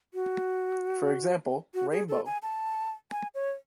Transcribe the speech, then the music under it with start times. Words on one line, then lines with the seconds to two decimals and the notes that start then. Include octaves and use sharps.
For example, rainbow.
0.14 F#4
1.74 F#4
1.91 G#4
2.09 A4
2.26 G#5
2.42 A5
3.11 G#5
3.35 C#5